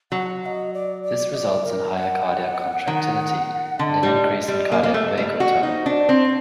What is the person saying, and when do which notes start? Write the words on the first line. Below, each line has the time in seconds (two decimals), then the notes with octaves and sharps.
This results in higher cardiac contractility and an increase in cardiac vagal tone.
0.12 F#3 F#5
0.42 F#5
0.46 D#5
0.74 D5
1.03 D5
1.34 D#5
1.38 D5
1.65 A#4
1.95 F#5
2.87 D#3
3.79 D3 D#5
4.03 G3
4.48 G3
4.72 A#3
4.83 A#3
4.94 A3
5.17 G3
5.40 F#4
5.63 D#4 C5
5.86 D4
6.09 C4